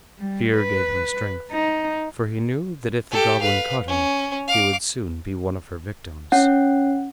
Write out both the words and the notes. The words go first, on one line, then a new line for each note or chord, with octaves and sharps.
Fear gave him strength, for he knew that if the goblin caught him he would soon be one of her victims.
G3
B4
D#4
G4 A4
B4 F5
C#4
F5 D6
C#4 F#5